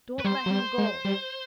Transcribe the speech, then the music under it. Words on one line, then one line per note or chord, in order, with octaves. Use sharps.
"Don't let him go."
B4
G3 C5
F#3
G3
G#3
G3